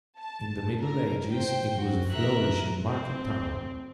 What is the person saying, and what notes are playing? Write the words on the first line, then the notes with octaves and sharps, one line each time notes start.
In the Middle Ages it was a flourishing market town.
A5
A#4
C5 G5
F#4
A#4 E5 A#5 F#6 A#6
C4